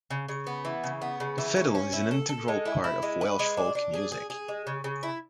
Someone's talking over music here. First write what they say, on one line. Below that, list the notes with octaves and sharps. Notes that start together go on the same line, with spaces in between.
The fiddle is an integral part of Welsh folk music.
C#3
C#3
B3
E3
C#3
B3
C#3
E3
C#4
C#4
E4
A4
A4
G#3
E4
E4
G#3
B4
G#3
D4
D4
G#4
G#4
G#4
G#3
C#3
C#3
E4